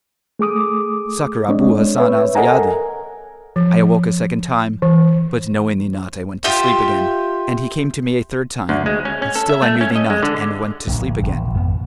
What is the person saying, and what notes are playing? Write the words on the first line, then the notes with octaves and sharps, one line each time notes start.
Succour Abu Hassan al-Ziyadi.' I awoke a second time, but knowing thee not I went to sleep again; and he came to me a third time and still I knew thee not and went to sleep again.
A3 G#4 D6 D#6
G#3 C4 D4 C#5 D#5
B4 C#5 E5
A4 A#4 D#5 F#5 G#5 A#5
F3
E3
F4 G4 E5
D2
G#3
C#4
C#4
A4
E5
A3
C#4
D#5
G#3
D3
D1 A#1
E1 A#1
G#1 F2 B3